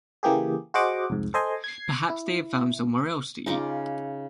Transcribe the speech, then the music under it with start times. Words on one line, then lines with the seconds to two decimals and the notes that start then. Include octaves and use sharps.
Perhaps they have found somewhere else to eat?
0.23 C#3 E3 A#3 G4 G#4
0.74 F#4 G#4 C5 D#5 F#5 D6
1.10 C2 F2 G#2
1.34 A4 C5 D#5 G#5 C6
1.64 G#6 C7
2.10 E4
3.46 C#3 D#4 F4 D6